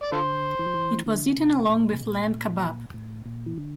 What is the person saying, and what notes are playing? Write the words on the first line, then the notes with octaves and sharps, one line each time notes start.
It was eaten along with lamb kabab.
D5
D3 F4 A4 C5
E3
F3
E3
D3
C3
A#2
C3
A#2
A2
A#2
E3
D3